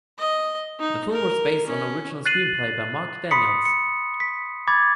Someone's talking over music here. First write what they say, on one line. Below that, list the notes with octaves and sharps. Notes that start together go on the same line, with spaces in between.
The film was based on an original screenplay by Mark Daniels.
D#5
D#4
A#4
C#4
F#6 A6 C7 D#7 F#7
B5 C6 D#6 B6 C#7
C#7
B6
B5 D6 G#6 A6